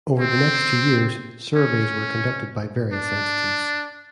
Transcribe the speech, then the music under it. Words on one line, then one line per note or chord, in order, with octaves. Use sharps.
Over the next two years, surveys were conducted by various entities.
C4
C#4
D4